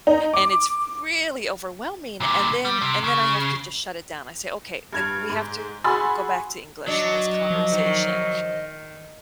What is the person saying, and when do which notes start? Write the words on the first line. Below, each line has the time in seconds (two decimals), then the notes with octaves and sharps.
and it's really overwhelming, and then and then I have to, just, shut it down. I say, "Okay, the we have to go back to English in this conversation,"
0.07 D#4
0.33 D6
2.20 A#2 D3
2.65 G3
2.82 C3
3.04 C#3
4.93 G2 G#6 F7
5.30 G#2
5.84 F#4 G#4 B5 C6 E6 A6
6.88 F#3 D4 D#5
7.50 F3
7.72 D#3